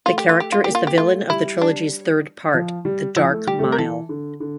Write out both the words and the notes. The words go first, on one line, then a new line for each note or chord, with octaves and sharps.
The character is the villain of the trilogy's third part, "The Dark Mile".
A3 F4
G4
F4
G4
F4
A#3 G4
F4
G4
A3 F4
G3 E4
D4
F3
G3
F3 E4
A3
G3 G4
A3
G3
A#4
E3 A4
D3
D3